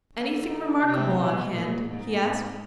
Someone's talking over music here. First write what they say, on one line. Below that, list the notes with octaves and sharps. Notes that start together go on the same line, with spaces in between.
"Anything remarkable on hand?" he asked.
D3
C3
B2
A#2
G#2
G#2